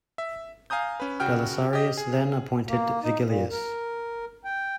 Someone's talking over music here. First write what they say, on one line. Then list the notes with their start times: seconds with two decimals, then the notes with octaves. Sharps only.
Belisarius then appointed Vigilius.
0.18 E5
0.70 F5 G#5 A#5 D#6 G6
1.00 C#4 B4
1.20 C#3 F#4 G5 F6
1.73 G4 D#5
1.97 G#4
2.66 A#3
3.03 D#4
3.25 A#2
3.51 A#4
4.45 G5